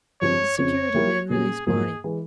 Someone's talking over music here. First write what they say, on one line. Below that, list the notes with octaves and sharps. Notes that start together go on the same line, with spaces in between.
The security men released Barney.
G2 F3 G#3 C4 F4 C#5
F2 C#3 F3 C4 C#5
F3 A#3 E4 G4 A#4
A#2 G3 A#3 C#4 G4 G#4
G#2 F3 A#3 F4 G#4 A#4
E3 G#3